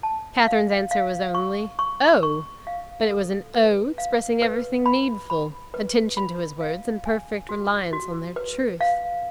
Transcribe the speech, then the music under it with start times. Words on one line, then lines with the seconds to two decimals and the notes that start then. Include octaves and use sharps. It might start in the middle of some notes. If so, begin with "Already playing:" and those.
Catherine's answer was only "Oh!"--but it was an "Oh!" expressing everything needful: attention to his words, and perfect reliance on their truth.
0.03 A5
0.47 F5
0.91 F5
1.35 C#6
1.79 C#6
2.23 C#6
2.67 F5
3.11 A4
3.54 B4
3.98 F5
4.42 B4
4.86 B5
5.30 B5
5.74 B4
6.17 B5
6.61 F5
7.06 G#5
7.49 F#4
7.93 F#4
8.36 B4
8.81 F5